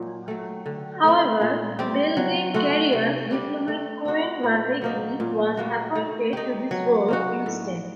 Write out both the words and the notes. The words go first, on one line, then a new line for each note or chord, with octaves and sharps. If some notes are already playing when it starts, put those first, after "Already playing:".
However Belgian career diplomat Koen Vervaeke was appointed to this role instead.
Already playing: A#2 F#3 D#4
F#3 A3
D3
A3 C4
A#2
G3 C4 G4
F#3
A3 C4 F#4
C3
G3 D4 G4
A3
C4 F#4 C5
A#2
F#3 A#3 D#4
A#2
G3 A#3 F#4
A3
D#4 G4
F#3
A#3 D#4 F#4
A2